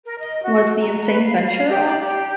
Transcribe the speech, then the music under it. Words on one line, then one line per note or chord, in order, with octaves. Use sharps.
Was the insane venture off?
A#4
D#5
F#4
A#5
B4
F5
F5
G4
D5
G4